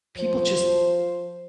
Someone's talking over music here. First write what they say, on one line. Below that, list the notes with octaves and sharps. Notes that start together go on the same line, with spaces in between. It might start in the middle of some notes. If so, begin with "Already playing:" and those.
people just
F3 C5